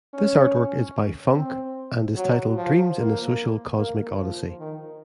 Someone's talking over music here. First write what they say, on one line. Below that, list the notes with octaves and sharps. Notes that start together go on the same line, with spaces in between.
This artwork is by :phunk and is titled "Dreams in a Social Cosmic Odyssey".
C#4
C4
F#3
F3
A#3
A#3
F3
D#3